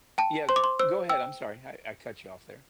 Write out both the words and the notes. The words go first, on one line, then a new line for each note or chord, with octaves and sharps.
yeah, go ahead. I'm sorry. I I cut you off there.
G5 A5
C5 C6
D6
C6
C5 E6
G5 E6